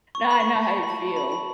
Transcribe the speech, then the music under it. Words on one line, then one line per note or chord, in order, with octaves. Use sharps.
No, I know how you feel.
C#6
B5
C#6
B5
A5
B5
B5